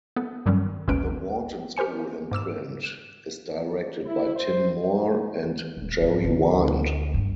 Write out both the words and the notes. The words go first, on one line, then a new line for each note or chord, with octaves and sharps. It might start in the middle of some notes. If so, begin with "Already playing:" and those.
The Wharton School imprint is directed by Tim Moore and Jerry Wind.
B3 A4
G2 D#3 F#3 G3 C#4
G#1 D2 G#3 C#4 B4 D7
G4 A#4 C5 G#5 C#7
G#2 D6 E6 E7
E4
C5
D#1
G#2
D2
G2